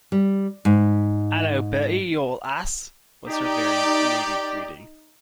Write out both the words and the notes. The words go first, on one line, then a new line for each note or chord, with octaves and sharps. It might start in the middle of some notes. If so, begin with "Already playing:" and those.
"Hallo, Bertie, you old ass," was her very matey greeting.
G3
G#2
D#4 G4 D5